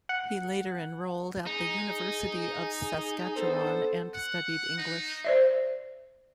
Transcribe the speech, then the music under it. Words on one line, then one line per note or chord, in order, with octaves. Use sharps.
He later enrolled at the University of Saskatchewan and studied English.
F#5
D#4 G#4
B3 D4 A4 C5
F#5
D#4
C5 D5 E5